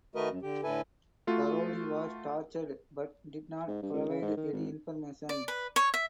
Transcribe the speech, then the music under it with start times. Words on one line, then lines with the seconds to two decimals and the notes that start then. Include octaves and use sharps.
Parodi was tortured but did not provide any information.
0.15 D#3 A3 F#4 A#4 B4 D#5
0.30 F#2
0.42 D3 G4
0.64 A2 D3 E4 A4 B4 G#5
1.27 A3 F4 F#4
3.68 G#2
3.83 G2
3.94 C#2
4.08 C#3
4.22 G#2
4.37 D#3
4.52 G#1
5.29 D5
5.48 B4
5.76 C#5
5.94 E5